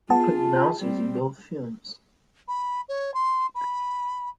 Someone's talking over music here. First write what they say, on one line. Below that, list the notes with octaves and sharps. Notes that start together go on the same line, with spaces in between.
He played announcers in both films.
B3 F4 G#4 A5
G3 C4
B5
C#5
C6
B5